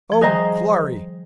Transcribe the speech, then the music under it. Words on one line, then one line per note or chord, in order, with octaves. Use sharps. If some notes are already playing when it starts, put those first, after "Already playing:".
Oh, glory!
F3
D#3 G3 G#4 C5 D#5 A#5